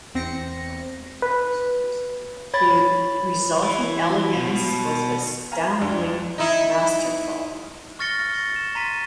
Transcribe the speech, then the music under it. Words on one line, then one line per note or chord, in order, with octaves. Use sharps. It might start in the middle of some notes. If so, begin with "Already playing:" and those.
The resulting elegance was astoundingly masterful.
E2 C4 A#6 C#7
B4
C#5 B5 A6
E3
B2
F5 G#5 A#5
F2 D4
D#4 E4
C#6 F6 A6 A#6 C#7 G7
C#6 A6
E7
A#5 C6 A6 B6 D#7